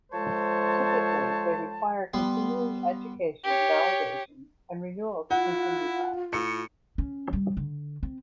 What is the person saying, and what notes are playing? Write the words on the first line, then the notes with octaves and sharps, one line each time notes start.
Typically they require continuing education validation and renewal to continue practice.
F3 G#3 A4 C5 C#5 A5
G3 B3 C6
G4 C#5
E4 F4 F#5
A2 C#7
C#4
G3
D3
C4